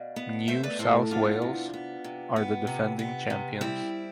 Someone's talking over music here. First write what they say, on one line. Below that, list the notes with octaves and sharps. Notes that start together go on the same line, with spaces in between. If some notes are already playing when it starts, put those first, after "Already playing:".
New South Wales are the defending champions.
Already playing: B2 D5 F5
B3
A3 C5 E5
B4 D5
A2 A4 C5
B3 D4 F4
C3
B3
C3
B3
C3
B3
C3
G3 C4 E4